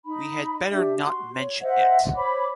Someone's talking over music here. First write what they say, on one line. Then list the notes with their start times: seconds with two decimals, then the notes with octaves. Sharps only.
We had better not mention it.
0.07 D#4 B5
0.72 D4 G4 E5
1.04 F#4 C6
1.36 C#5
1.62 C5 D#5 E5 F#5
2.15 C5 C#5 B5 D6